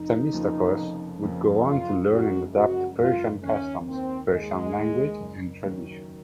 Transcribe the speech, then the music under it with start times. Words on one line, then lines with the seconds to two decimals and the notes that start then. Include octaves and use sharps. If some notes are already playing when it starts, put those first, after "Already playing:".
Themistocles would go on to learn and adopt Persian customs, Persian language, and traditions.
Already playing: F1 D#4
0.34 F2 C#3 F3 A#3
0.78 F1
1.23 F2 C#3 F3 A#3
1.66 F#1 F4
2.10 F#2 C#3 G#3 F#4
2.54 F#1 F#4
2.98 F#2 C#3 G#3 F4
3.43 D#2 C#4
3.87 D#3 A#3 C4
4.31 D#2 G#3
4.75 D#3 A#3
5.20 F#1
5.63 F#2 D#3 F#3